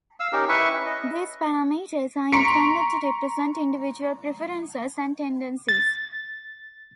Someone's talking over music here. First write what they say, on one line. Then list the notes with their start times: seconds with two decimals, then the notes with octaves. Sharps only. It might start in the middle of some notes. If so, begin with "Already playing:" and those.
These parameters are intended to represent individual preferences and tendencies.
0.20 F5 E6
0.32 C#4 D#4 G4 A#4
0.49 E4 B4 E5 C#6
0.73 C#4
0.86 D#5
2.32 A#5 C6 C#6 B6 C#7 D7
5.69 A6